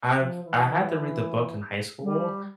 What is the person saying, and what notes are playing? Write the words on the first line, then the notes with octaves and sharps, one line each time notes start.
I've I had to read the book in high school,
F3
E3
E3
G3